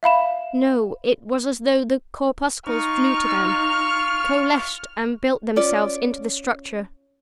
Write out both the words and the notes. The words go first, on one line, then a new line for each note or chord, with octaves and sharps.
No--it was as though the corpuscles flew to them, coalesced and built themselves into the structure.
E5 F5 B5 E7
D#4 F4 C#6 F6
C#4 F4 D5